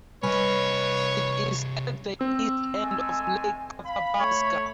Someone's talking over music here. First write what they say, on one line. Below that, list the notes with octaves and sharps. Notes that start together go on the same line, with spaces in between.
It is at the east end of Lake Athabasca.
C2 G3 B4 C#5 D#5 G#5
C4 E6
G#3 A3 G#5
F5 B5
A3 C#5